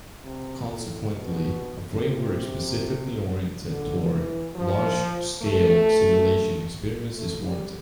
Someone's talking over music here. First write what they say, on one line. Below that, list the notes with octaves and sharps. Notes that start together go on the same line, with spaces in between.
Consequently, a framework specifically oriented toward large-scale simulation experiments is warranted.
C3
A2
B2
C3
D3
E3
F3
A3
A3
G3